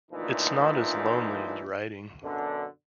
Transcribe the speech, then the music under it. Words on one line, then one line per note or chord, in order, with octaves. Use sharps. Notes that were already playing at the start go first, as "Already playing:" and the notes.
It's not as lonely as writing.
D2 A#2 E3 F3 D#4
F#2 B2 D3